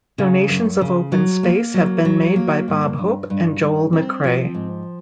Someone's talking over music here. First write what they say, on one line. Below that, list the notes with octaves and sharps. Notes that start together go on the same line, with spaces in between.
Donations of open space have been made by Bob Hope and Joel McCrea.
C#3
F#2
C#3
F#3
A#3
F#3
F#3
A#3
G2
G2
G2
G2
C4
F3
G#2